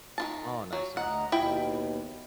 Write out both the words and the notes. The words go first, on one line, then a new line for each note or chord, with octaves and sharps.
Oh, nice, nice.
D#3 F4 A5
F#3
D2 D#5 F#5 A#5
D#2 B2 E4 G5